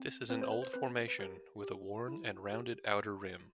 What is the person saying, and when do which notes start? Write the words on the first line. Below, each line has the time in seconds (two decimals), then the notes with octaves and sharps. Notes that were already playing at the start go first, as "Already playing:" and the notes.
This is an old formation with a worn and rounded outer rim.
Already playing: C4
0.30 C4 B4
0.42 C5
0.52 B4
0.62 C5
0.74 C4 B4
1.08 B4
1.19 G4 A#4
1.63 G4
2.08 E4
2.52 G4